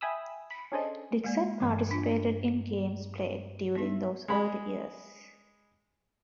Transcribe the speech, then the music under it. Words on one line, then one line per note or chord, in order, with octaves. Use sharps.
Dixon participated in games played during those early years.
E5 G5 G#5 B5 D#6 E6
B5
C#4 D4 G#4 A4 C5 D#5
G#3 A#3 D5
G2 E3 G#3
D4 F4
B3 D#4 E5
G#3 B5